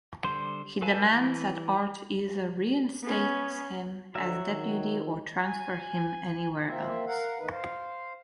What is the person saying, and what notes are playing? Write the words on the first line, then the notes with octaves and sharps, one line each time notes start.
He demands that Art either reinstates him as deputy or transfer him anywhere else.
D3 G3 C5 C6
A4 B4 F5 G#5 A5
E3
B3 C#4
D3 F#3 G3 F#4 E5
D#3
G#5
A#3 C4 F4 E5
A#4 F5 F#5
E2 A2 D#3 E3 D#4 B4
C5 F5